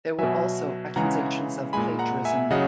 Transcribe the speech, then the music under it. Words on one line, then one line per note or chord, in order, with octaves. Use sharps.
There were also accusations of plagiarism.
B2 F#3 E5 G#5
C#3 E3 G#3 F#5 A#5
A#2 G#3 G#5 B5
F#5 A#5
E5 G#5
C#3 F#3 D#5 F#5